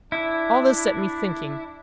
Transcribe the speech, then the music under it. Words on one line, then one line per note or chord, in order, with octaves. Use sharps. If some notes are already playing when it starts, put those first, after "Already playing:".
All this set me thinking.
D4 E4